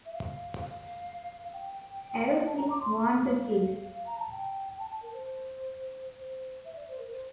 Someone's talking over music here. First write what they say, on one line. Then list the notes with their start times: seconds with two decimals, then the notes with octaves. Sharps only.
Aerosmith won the case.
0.06 E5
0.14 F5
0.61 F5
1.53 G5
2.47 A5
2.57 A#5
2.70 D6
2.81 C6
3.16 F5
4.06 A#5
4.19 A5
4.32 G5
4.70 G5
4.79 A5
4.91 A5
5.02 A#4
5.13 C5
6.18 C5
6.65 E5
6.76 D5
6.88 C5
6.99 A#4
7.11 C5